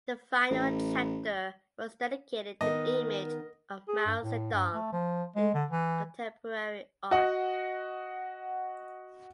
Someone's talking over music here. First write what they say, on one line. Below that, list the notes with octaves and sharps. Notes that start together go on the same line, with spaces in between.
The final chapter was dedicated to the image of Mao Zedong in contemporary art.
A1
D#3 B3 A#4 D#5
G#4
G2
A2
G2
A3
F3
G#3
D3
E3
F#4 D#5 F#5